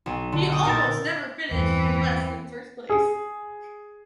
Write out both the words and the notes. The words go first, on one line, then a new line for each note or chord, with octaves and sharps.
He almost never finished in less than first place.
B1
D3
G5 D6 D#6
A#2 D#4 A#4 E6 A6
E2 G2 E3 C4
G#4